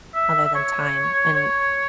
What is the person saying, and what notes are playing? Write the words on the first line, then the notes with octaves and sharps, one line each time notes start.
other than time, and,
E5
E5
C#5
C#5